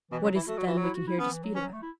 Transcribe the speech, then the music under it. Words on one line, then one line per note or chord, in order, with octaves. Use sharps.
What is it then we can here dispute about?
B2 E3
C#3 F#3
E3 E4
A3 F#4
F#3
E3
F#3
E4
F#4
E4
B3 C#4
E3
F#3
E3 C#4
F#3
A3
E4